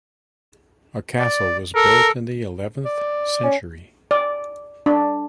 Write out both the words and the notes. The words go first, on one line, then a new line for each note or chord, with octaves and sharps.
A castle was built in the eleventh century.
D5
A4 A#4
D5
C#4
D5
D4